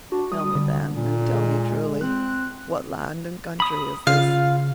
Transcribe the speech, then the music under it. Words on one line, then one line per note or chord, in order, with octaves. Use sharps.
Tell me, then, and tell me truly, what land and country is this?
D4 F#4
G3 D#6
D3
A#2
G#3
C4 F#6
B5 D#6
C#3 F4 F5